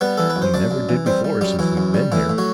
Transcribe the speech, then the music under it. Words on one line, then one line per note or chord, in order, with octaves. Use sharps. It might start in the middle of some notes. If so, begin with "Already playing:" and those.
You never did before since we've been here.
G3 B3 B4
E3 A4
B4
F#2
C5
F#2 D4 D5
F#2
E3
G3 C4 C5
G3
F#2 G3 G4
F#2 E3 E4
F#2
G3
A2 E3 E4
A2
F#3 F#4